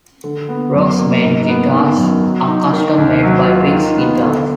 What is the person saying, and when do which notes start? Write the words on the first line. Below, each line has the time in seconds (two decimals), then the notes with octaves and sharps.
Brock's main guitars are custom made by Wicks Guitars.
0.24 D3
0.49 B3
0.74 F#2
0.98 A#3
1.24 G#2
1.48 B3
1.73 D#3
1.98 F#2
2.23 F#3
2.48 D#4
2.73 D#3
2.98 D#2
3.23 F#3
3.48 F4
3.73 D#3
3.97 B3
4.23 D3